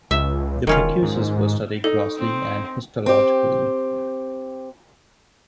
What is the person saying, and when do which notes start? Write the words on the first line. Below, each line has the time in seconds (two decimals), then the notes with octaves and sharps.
The prepuces were studied grossly and histologically.
0.11 C#2 E5
0.67 E1 D#3 C#4 F4
1.02 G#2
1.84 D#4 A4
2.17 C4
3.06 C4 G4